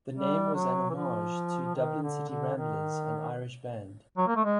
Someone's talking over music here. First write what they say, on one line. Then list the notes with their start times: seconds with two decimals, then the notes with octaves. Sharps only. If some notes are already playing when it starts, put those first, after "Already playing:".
The name was an homage to Dublin City Ramblers, an Irish band.
0.13 G3
0.54 F#3
0.90 E3
0.94 F3
1.75 D#3
2.02 D3
2.29 D3
2.56 D#3
4.17 F#3
4.27 A#3
4.36 A3
4.45 G#3